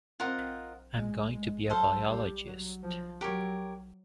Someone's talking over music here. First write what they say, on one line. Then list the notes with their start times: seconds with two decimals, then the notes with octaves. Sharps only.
I'm going to be a biologist.
0.20 C4 F4 A#4 D#5 F#5
0.95 G#3
1.33 G#3
1.70 F#3 A4 C5 F5
2.08 G3
2.46 F#3
2.83 F3
3.20 F#3 G4 A#4 C#5